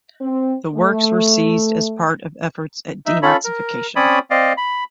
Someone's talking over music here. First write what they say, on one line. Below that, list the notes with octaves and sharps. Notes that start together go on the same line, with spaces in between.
The works were seized as part of efforts at denazification.
C4
A3
D#4 E5
C#4 F4 A4 C#5 B5
A#4
C4 C#4 C#5 D5 B5 D#6
C4 D5 D#5 F5
B5